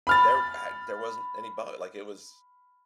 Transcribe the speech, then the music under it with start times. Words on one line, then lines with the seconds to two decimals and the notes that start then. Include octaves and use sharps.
There had there wasn't any bug, like, it was
0.07 B5 F6 A6